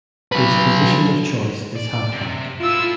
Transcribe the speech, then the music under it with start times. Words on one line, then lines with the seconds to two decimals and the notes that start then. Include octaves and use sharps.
His position of choice is Halfback.
0.32 F#3 B4
1.75 D5
2.12 C3
2.60 A2 E4 F4 E6